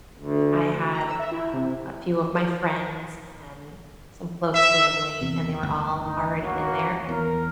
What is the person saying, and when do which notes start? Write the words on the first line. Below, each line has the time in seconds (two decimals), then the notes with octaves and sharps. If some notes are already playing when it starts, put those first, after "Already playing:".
I had, um, a few of my friends and some close family, and they were all already in there, and
0.17 D2
0.92 A#5
1.07 E6
1.19 E5
1.31 E4
1.53 C3
4.54 E5
5.21 E2 C3
5.63 G1 D2
6.03 D#4
6.40 A#3 C#4 F#4
7.09 E2 A#4